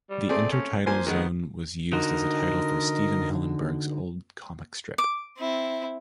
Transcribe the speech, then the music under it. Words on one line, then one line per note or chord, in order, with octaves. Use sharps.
The Intertidal Zone was used as a title for Stephen Hillenburg's old comic strip.
G3
A3 C4 G#4 D5
C#4
F3 A#3 C5 G#5
D#3 G#3 B3
D3 D#4 F#4 A#4 D#5
D6
C4 E4